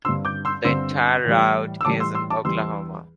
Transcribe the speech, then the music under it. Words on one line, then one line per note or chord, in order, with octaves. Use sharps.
The entire route is in Oklahoma.
G2 D3 C4 C6 E6
D6 G6
C6 E6
G2 D3 C4 C6 E6
A2 E3 G3
E6
A2 E3 G3 A5 D6
C6 E6
C6 E6
A5 D6
E2 E3 G3 C6 E6